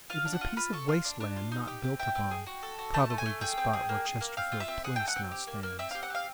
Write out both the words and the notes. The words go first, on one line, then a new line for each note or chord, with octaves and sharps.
It was a piece of waste land not built upon--probably the spot where Chesterfield Place now stands.
F4 F5
D4
F#5
F4
F4 B5
A4 C#6
F4 C6
D4
D4
F4
D#4
G4
C4
E4 G5
C4
G#4
F#4
A4
F#4
A3 A5
A3
G#5
A3
G#4 G5
C4
G#4
A#3
G#4
A#3
C4 F5
F4
E5
C4
G#4 F#5
A3 G5
F#5
C4
G4
A#3
A#3
C4 E5
G4 F5
F#5
C4 F5